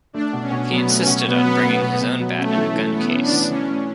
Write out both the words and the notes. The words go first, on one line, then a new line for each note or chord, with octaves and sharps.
He insisted on bringing his own bat in a gun case.
A3 D4
B2
C#4
B2
F#3 B3
A3
C#4
B2
B2 B3
F#3
A3
B2
B2
F#3
A3 C#4
E3
E3
A3 B3
C#4
D4
E3
E3 C#4
A3